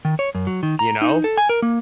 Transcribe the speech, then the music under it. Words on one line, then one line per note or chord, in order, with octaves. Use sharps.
you know,
D#3
C#5
F#2
F#3
D#3
A#5
D#4
A4
G#5
A#4
A#3